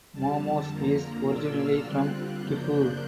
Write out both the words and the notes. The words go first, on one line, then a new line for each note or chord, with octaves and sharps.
Momose is originally from Gifu.
F2 D3 G3 A5
F2 D3 F3 A#3 A#5
A#2 F#3 A#3 D4 F4 E6
F6
D3 G3 C4 F4 F#6
F#2 C#3 F3 A#3 D4 G6
F#6